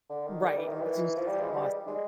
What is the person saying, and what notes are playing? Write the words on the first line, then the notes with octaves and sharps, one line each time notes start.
Right, I jus exhausting.
D3
D#3
G3
E3
D#3
E3
F3
G3
G#3
G3
G#3